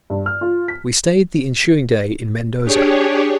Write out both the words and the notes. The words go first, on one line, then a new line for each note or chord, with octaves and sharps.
We stayed the ensuing day in Mendoza.
G2
F6
F4
B6
D4 G4 G#4 C#5